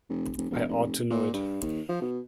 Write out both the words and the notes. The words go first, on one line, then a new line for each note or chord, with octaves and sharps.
I ought to know it.
F1
F1
E1
F1
A#2
G2
D#2
F3
B2